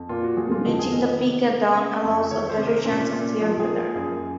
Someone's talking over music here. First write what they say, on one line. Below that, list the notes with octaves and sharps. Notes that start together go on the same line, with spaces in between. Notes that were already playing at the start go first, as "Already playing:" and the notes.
Reaching the peak at dawn allows a better chance of clear weather.
Already playing: F2
A#2 F4
F#4
A#2 G#4
F4
F2 D#4
G#4
D#3 A#4
D#5
C3
A#3
C#3
F2
D#3 C#5
C5
C3
A#4
A#2 C#4
A#2
F3 D#4
G#4
A#3
G#4
F#2 G#4